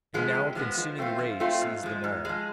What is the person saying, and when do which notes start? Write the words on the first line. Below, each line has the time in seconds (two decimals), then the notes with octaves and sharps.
And now a consuming rage seized them all.
0.14 F3 G#3 B3
0.35 C3
0.55 F3 G#3 B3
0.78 F3
0.98 A3 C4 F4
1.19 F3
1.40 A3 C4 F4
1.61 G#2
1.83 F3 G#3
2.04 G#2
2.25 F3 G#3